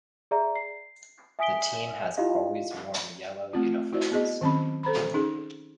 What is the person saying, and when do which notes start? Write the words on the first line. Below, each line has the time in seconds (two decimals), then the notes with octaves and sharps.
The team has always worn yellow uniforms.
0.31 G#4 D5 E5 A#5
0.56 C7
1.39 E5 G#5 D#6 B6 D7 G7
2.17 E4 F4 G4 D#5 F5
3.53 A3 C4 F4
3.93 E4 F#4 C5 D5
4.12 B3 G#4 D#5
4.41 D#3 F#3 C4 C#4 B5
4.83 A4 C5 A#5 B5
5.14 C#4 D#4 G#4